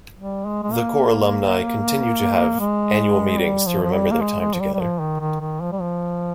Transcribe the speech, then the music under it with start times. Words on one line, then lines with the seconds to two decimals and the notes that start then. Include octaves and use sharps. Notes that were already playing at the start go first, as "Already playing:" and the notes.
The corps alumni continue to have annual meetings to remember their time together.
0.19 G3
0.46 G#3
0.63 G#3
0.72 A#3
2.60 G#3
3.40 G3
3.67 F3
3.83 F3
3.93 G3
4.12 A#3
4.20 G#3
4.40 G#3
4.54 F3
4.60 G3
4.74 G3
4.80 F3
5.01 D#3
5.20 D#3
5.40 D#3
5.61 F3
5.72 G3
5.81 F3